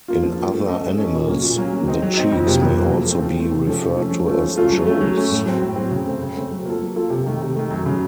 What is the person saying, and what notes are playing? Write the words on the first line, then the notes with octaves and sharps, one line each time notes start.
In other animals the cheeks may also be referred to as jowls.
A#3 F4
F3
A#3 F4
A3
C#4 A4 D#5
A3
C#4 A4 D#5
A#2
F#3 A#3 C#4
A#2
F#3 A#3 C#4
F#3
C4 D#4
F#3
C4 D#4
F2
C3 F#3 A#3
F2
C3 F#3 A#3
F3
A3 C4
F3
A3 C4
C3
F3 A3 C#4 A4
C3
F3 A3 C#4 A4
F3
A3 C#4 F4 A4
F3
A3 C#4 F4 A4
F#3
A3 C#4
F#3
A3 C#4
A2
F#3 C4
A2
F#3 C4
C#3
A3 C4
C#3
A3 C4
F#3
A#3 F4 A4
F#3
A#3 F4 A4
C3
D#3 A3
C3
D#3 A3
F#2
C#3 F#3